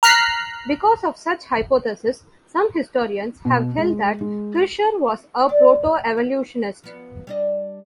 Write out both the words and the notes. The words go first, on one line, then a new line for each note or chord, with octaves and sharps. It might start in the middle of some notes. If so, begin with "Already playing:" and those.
Because of such hypotheses, some historians have held that Kircher was a proto-evolutionist.
A#5 F6 F#6 B6 C7
B2
G#3
G#3
D2 D4 D5
F5
F3 B3
G3 D4 D#5